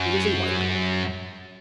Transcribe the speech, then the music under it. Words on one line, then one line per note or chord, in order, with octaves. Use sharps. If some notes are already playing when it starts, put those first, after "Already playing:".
It is a white dog.
Already playing: F#2